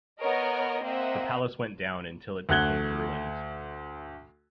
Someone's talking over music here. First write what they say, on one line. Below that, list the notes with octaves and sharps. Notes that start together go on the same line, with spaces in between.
The palace went down until it became ruins.
B3 A#4 C#5 D#5
A#3 C4 C5 D#5 E5 F#5
D2 A3 F#5 F#6 G#6 G7